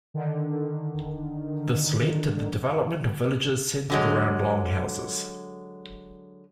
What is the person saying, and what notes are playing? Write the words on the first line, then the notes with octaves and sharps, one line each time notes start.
This led to the development of villages centred around longhouses.
D3 D#3
D3 F#3 G#3